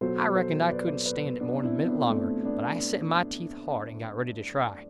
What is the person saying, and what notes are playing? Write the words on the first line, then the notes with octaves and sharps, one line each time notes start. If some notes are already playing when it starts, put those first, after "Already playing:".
I reckoned I couldn't stand it more'n a minute longer, but I set my teeth hard and got ready to try.
B2 F#3 A4 C5
A4 C5
B4 D5
B4 D5
B4 D5
B3 D4
C4 E4
B3 D4
A3 C4
B3 D4